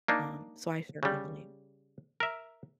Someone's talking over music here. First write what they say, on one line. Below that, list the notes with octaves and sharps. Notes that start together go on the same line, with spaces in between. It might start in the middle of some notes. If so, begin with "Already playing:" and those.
Um, so I certainly believe
A#3 D4 D#4
C#3 G3
A#4 E5